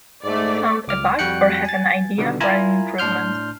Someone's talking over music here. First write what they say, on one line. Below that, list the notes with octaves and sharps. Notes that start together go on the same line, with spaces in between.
Found a bug, or have an idea for an improvement?
G#2 A3 D5
C#2 D6 F6
F2 G3 F#4 G5 F#6 C#7
G#5 A6
B2 D3 D#3 G3 B3
E4 F4 A#4 G#5 A#5
A2 D4 C6 F6 G6